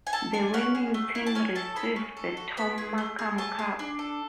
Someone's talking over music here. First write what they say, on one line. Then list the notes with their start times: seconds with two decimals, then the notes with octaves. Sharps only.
The winning team receives the Tom Markham Cup.
0.07 G#5
0.13 A4 A5
0.34 D4 G#5
0.54 C#4 F#5
0.75 G#4
0.94 A3
1.15 E4
1.26 A5
1.35 C#4 G#5
1.55 A4 A5
1.76 G#4 B5
1.96 C#4
2.17 A4
2.37 F#4
2.57 B3 B5
2.78 G#4
2.98 A3
3.19 G#4
3.38 A3 A5
3.59 G#4
3.79 D4
3.99 A4